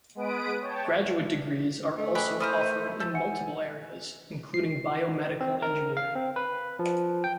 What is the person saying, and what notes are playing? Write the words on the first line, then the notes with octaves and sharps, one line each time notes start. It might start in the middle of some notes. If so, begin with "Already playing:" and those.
Graduate degrees are also offered in multiple areas, including Biomedical Engineering.
G#3 B3 B4 D#6 D7
C#5 G5 A5
A3 D#5
G4 G#4 B4
E3 E4 A#4 C5 D#6 F6 D#7
D#7
A4 G6
E5 F#5 G#5 C#7
C7
C4
A#4
F5
C4
B4
F3
G5